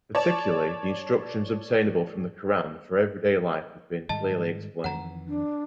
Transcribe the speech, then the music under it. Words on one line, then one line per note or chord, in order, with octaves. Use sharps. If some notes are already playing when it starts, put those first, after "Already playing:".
Particularly the instructions obtainable from the Qur'an for everyday life have been clearly explained.
C#5 D5 A5
G#2 D#3 G3 D#5 A5
F2 D#3 E3 F#5 A#5
D4